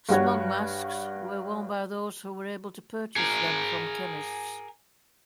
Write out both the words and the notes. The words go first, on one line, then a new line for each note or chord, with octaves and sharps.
"Smog masks" were worn by those who were able to purchase them from chemists.
G2 G3 F#4 C#5
G#4 A#4